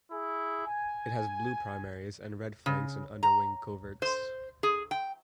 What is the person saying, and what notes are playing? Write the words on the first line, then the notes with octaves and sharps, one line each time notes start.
It has blue primaries, and red flanks and underwing coverts.
E4 G#4
G#5
C#3
A#5
C5
G#4
G5